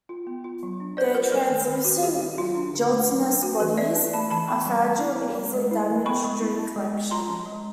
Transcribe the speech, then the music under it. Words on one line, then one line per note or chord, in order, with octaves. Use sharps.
Their translucent, gelatinous bodies are fragile and easily damaged during collection.
F4
B3
F4
F#3
D4
B3 C5 D5
F4 A#4 C5
G3 A#4 C5
D#3
D#3
A#3 F#4
G3 F#4 G#4
D#3 F#4
F#3 F4
D4
D3
A3
F#3
D4
A3 F#4
E3 A4 B4
E3 D5 E5
C#4
A3 A5 B5
E3 A5 B5
B3 B5 C#6
G3
G3
E4
B3
G3
G#3
E4
F3
B3 B5 C#6
G#3
E4
C#4
G#3
G#3
F4 A#5 C6
C#4
G#3